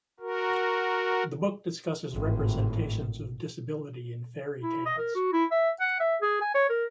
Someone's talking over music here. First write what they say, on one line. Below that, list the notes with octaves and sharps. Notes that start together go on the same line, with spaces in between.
The book discusses representations of disability in fairy tales.
F#4 A#4
G#1 A2
E4
D#5
A#4
F#4
E4
E5
F#5
E5
G#4
G#5
C#5
A#4